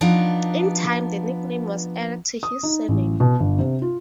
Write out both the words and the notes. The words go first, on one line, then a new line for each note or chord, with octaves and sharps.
In time the nickname was added to his surname.
F3 B3 D4 D#4
D#6
D#4
A1
B2
G1
C3
F4